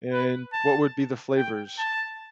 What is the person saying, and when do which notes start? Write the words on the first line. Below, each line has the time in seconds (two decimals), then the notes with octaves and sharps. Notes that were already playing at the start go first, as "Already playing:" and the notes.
And what would be the flavors
0.12 B4
0.53 A5
1.37 G5
1.78 A5